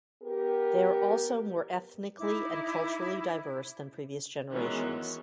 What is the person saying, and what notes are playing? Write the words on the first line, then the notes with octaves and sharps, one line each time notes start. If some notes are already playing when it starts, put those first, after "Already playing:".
They are also more ethnically and culturally diverse than previous generations.
B3 G4 A#4
D#4 E4 B5 D6
D#3 E3 F#3 G#3 B3 C#4